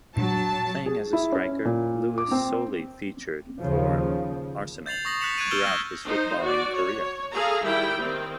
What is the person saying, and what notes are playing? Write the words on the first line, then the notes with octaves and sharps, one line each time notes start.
Playing as a striker, Lewis solely featured for Arsenal throughout his footballing career.
A#2 F#3 D4 A5
G#4
E4
C#4
A#2
D6
C4
D#2 C#3 F3
G6 A6 C7 F7 F#7
C#6 D#6 A#6 F#7
F#6 A6 B6 C#7 E7 F7
C#6 F#6 G#6 A6 D7 D#7
E6 F6 G6 D7 E7 G7
A#6
D#4 C5
F#4 D5
C#5
G#4 A4 F5 A#5
D#3 G3 E4 G5
D#3 C4